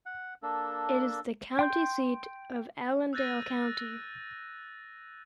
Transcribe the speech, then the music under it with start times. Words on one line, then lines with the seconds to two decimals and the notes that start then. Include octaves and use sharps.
It is the county seat of Allendale County.
0.06 F#5
0.43 A#3 D4 A4
1.59 G5 C6 G6
3.13 E6 F#6 G6 A6 A#6 D#7